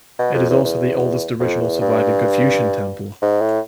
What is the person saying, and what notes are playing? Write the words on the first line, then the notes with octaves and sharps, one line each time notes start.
It is also the oldest original surviving Confucian temple.
B2
F2
E2
E2
F2
E2
G2
G#2
A2